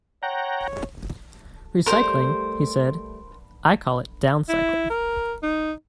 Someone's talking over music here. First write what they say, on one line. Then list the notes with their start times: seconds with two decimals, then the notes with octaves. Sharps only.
"Recycling, he said, "I call it downcycling.
0.23 C#5 F#5 G5 A#5
1.86 G3 A3 A#4 C5
4.48 E4
4.90 A#4
5.43 D#4